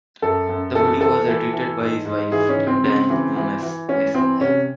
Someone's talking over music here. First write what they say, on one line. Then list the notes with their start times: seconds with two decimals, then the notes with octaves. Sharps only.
The video was edited by his wife, Dyan Humes-Nispel.
0.22 F#2 A4
0.49 F#2
0.75 E3 A4
1.01 E3 A4
1.27 E3
1.53 E3
1.79 G#2
2.05 G#2
2.32 E3 G#4
2.49 C#4
2.57 C#3
2.67 C4
2.84 C#3 C4
3.10 E3
3.36 E3
3.63 E3
3.88 E3 C#4
4.15 E3 C4
4.41 C3 C#4